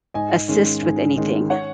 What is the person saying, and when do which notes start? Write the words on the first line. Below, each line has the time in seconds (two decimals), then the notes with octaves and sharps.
assist with anything?
0.14 G#2 D#5 G#5
0.48 D#3 G#3 C#4
0.82 G#2
1.16 D#3 G#3 C#4
1.50 C#5 F#5